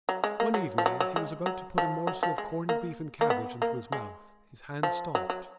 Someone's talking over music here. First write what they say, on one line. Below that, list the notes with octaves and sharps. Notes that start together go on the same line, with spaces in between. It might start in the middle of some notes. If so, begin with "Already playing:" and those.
One evening as he was about to put a morsel of corned beef and cabbage into his mouth his hand stopped.
F#3
G#3
A#3
F#3
F3
F#3
F#3
G#3
F#3
F3
F#3
F3
G#3
A#3
A#3
B3
A#3
G#3
F3
F#3
F#3